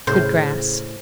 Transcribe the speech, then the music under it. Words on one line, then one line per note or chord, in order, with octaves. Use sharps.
Good grass.
A2 C#3 C5